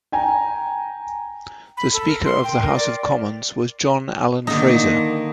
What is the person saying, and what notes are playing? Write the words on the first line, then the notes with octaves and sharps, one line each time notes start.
The speaker of the House of Commons was John Allen Fraser.
G5 G#5 A#5
B5
A4
A#4
C6
G5
A#4
D5
D3 D#3 A#3 D#4